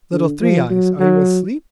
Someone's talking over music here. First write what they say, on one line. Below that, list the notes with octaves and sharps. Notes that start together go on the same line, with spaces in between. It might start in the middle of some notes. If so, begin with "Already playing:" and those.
'Little Three-eyes, are you asleep?'
D3
F3
F#3
F#3